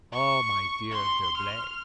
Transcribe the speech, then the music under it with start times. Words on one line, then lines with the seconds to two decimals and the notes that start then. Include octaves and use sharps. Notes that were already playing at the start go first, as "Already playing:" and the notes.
"Oh! my dear D'Herblay!"
0.13 C#6
0.91 C6
1.37 F6